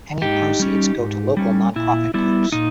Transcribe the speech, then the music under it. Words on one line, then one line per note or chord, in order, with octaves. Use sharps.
Any proceeds go to local non-profit groups.
G#2 D#4 G4
G3 C#4
G#2
G3 C#4
A#2 E4
G3 B3 E4
A#2 D#4